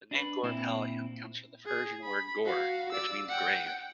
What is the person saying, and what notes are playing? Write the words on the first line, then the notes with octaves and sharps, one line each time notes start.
The name Gorippalayam comes from the Persian word "gor" which means "grave".
D4 B4
A#2 C4 E4
G#4
B5
F#4 F5
D5 E6
F#5 G5